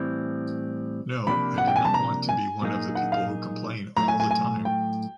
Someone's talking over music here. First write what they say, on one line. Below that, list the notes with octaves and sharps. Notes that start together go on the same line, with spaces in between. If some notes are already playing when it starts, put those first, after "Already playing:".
No, I did not want to be one of the people who complain all the time.
Already playing: A2 E3 G3 C4
C3 F3 A#3 D4 G4 B5
F#5
G5
G#5
A5
A#5
G#5
A#2 F#3 A#3 D#4 G#4
F#5
F5
A2 F#3 A3 A#5
G#5
G#5
G#5
G5